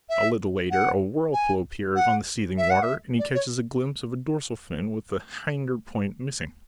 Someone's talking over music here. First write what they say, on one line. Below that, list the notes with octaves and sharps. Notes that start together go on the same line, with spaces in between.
A little later a whirlpool appears on the seething water, and he catches a glimpse of a dorsal fin with the hinder point missing.
E5
F#5
G#5
F#5
E5
F#5
E5
D5
C#5